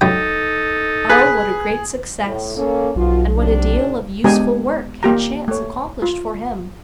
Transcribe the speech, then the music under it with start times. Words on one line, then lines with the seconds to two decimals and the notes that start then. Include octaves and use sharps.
Oh, what a great success! and what a deal of useful work had chance accomplished for him!
0.01 F#2 D#4 A4 G5
1.09 G#4 B4
2.25 A2
2.56 A#3 C#4 A4
2.96 B1 B2 F3 F4
3.38 A2 C3 D4
4.24 G#3 B3 D4 G4 G#5 A#5
5.03 A#3 G4 A#5
5.48 A3 C#5
6.02 F4